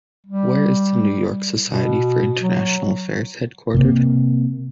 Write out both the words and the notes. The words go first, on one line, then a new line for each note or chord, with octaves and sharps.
Where is the New York Society for International Affairs headquartered?
G3
B2
F#3
C3 A#3